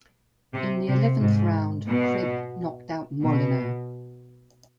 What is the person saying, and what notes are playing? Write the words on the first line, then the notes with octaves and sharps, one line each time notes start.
In the eleventh round Cribb knocked out Molineaux.
C3
C3
G#2
B2
B2